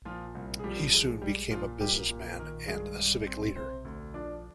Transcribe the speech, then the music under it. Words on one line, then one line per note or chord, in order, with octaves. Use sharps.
He soon became a businessman and a civic leader.
A#2 F3 F4
C2
G#4
F3 G3 G4
G#3
G3 G4
A#2 F3 F4
G3 A#3 G4
A#2
D#3 A#3 A#4
G2 G#3 G#4
G3
C4
C3 C4 C5
D2
F3 D4 D5